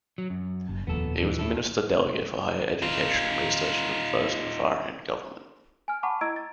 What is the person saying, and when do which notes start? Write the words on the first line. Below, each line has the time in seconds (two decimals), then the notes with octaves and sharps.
He was Minister Delegate for Higher Education and Research in the first Raffarin government.
0.18 F#3
0.30 F#2
0.69 F#1
0.87 D#1 F2 B3 A4
1.22 E3
1.39 E4 A4
2.82 D#4 F4
5.88 G#5 F6
6.03 F#5 A5 B5 C#6 D6
6.21 E4 D#5 A#5 E6 G#6 D7
6.36 A6